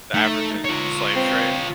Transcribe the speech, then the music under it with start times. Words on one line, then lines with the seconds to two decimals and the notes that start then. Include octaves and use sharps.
the African slave trade,
0.14 A3 D#4
0.65 F4 C#5
1.16 C4